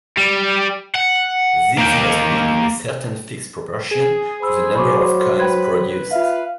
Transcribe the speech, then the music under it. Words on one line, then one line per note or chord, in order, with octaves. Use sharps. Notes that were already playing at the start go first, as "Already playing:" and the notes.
These must be in a certain fixed proportion to the number of coins produced.
G3
F#5
A#3 G4
G#4
C5 B5 E6
F#3 B5 C#6 D6
B4 G5 B5 G#6
F4 E5 F5